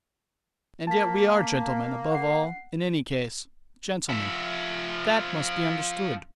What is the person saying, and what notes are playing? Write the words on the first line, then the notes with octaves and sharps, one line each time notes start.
And yet we are gentlemen, above all, in any case, gentlemen; that must be understood.
A#3 A5 B6
F#5 C7
F3 E5